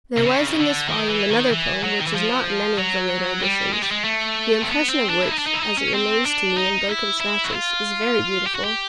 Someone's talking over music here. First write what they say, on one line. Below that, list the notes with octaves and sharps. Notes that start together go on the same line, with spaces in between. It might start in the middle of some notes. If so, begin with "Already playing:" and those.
There was in this volume another poem which is not in any of the later editions, the impression of which, as it remains to me in broken snatches, is very beautiful.
C3
C#3
D#3
D3
D#3
E3
D#3
E3
F#3
D#3
E3
F3
F#3
G3
G#3
G3
G#3
A3
C4
B3
C4
D4
E4
D#4
D4
D#4
E4
D#4
C#4
C4
D4
D#4
E4
E4
F#4
F4
G4
F#4
G4